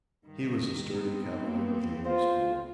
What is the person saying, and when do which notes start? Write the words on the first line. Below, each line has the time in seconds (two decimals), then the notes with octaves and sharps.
He was a sturdy Cavalier of the old school.
0.27 G2 D#3
0.93 B3 C4 D#4
1.45 A#3
2.05 F4 C5